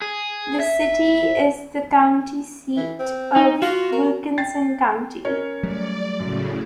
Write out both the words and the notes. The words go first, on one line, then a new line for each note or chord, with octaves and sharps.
The city is the county seat of Wilkinson County.
G#4
E5
E3
C4
D#4
F4 F#4
A#4
G5 A6 C7
C#4 A#4 C#5
F#3 G3 A3 D5
F#2 A2 C#3